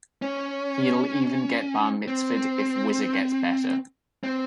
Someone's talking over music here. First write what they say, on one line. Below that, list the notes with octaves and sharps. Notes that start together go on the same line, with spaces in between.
He'll even get Bar Mitzvahed if Whizzer gets better.
C#4
C4
C4